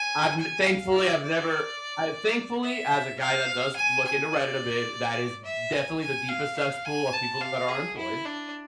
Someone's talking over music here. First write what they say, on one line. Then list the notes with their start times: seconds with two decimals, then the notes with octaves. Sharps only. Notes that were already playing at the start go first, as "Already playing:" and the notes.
I've n Thankfully, I've never I Thankfully, as a guy that does look into Reddit a bit, that is definitely the deepest cesspool of people that are unemployed.
Already playing: G#5
0.39 G#5
0.66 F5
0.95 D5
1.23 D5
2.63 E5
3.20 F5
3.76 G#5
4.04 G#5
4.32 D5
5.45 E5
5.72 G#5
6.00 G#5
6.29 F5
6.57 F5
6.85 G#5
7.13 A5
7.41 F5
7.69 G#4
7.97 E4
8.25 D4